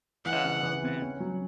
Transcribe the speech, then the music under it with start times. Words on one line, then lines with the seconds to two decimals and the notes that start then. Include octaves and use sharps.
Oh, man.
0.25 E3 F#5
0.45 C#3
0.63 E3
0.83 C4
1.02 C#4
1.20 F#3